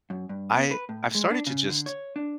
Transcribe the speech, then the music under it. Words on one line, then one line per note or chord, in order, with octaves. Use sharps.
I I've started to just
F#2
G2
B3
B4
A2
G#3
D4
C#3
D3
C#5
D4